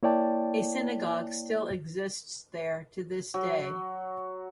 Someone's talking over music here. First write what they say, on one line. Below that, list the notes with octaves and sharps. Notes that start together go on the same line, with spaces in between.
A synagogue still exists there to this day.
A#3 E4 C#5 D5 G5 A5
F#3